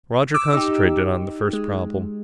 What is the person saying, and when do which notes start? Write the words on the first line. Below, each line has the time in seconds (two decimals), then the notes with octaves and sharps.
Roger concentrated on the first problem.
0.34 D6 E6
0.53 D#4 G4
1.53 G#3